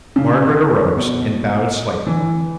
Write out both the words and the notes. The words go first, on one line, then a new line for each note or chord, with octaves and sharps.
Margaret arose and bowed slightly.
C#3
D#3
B2
E3